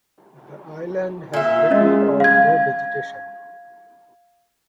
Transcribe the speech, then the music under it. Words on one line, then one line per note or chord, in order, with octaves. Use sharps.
The island has little or no vegetation.
A#2 E5
G#3 C#4 D#5
F5 G#6